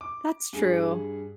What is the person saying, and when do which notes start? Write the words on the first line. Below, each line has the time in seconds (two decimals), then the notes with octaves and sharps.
That's true,
0.01 D6
0.53 G2 G#4